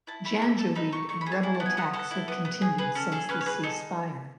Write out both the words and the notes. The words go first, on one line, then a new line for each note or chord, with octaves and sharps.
Janjaweed and rebel attacks have continued since the ceasefire.
E4 A5
A3 B5
A3 B5
A4 A5
D#4 B5
A3 C#6
A3 C#6
B5
G#4
A5
E4 G#5
A5
B3
G#5
B3 F#5
A4 F#5
E4
B3
B3
G#4
G#4 B4
C#4 A4
G#4 A4
C#4 B4
C#5
G#4 B4
D#4 A4